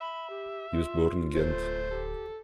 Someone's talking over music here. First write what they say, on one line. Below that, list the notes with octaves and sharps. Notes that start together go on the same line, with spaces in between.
He was born in Ghent.
E5 B5
G4
F4
D1 A3 C5
G4 A4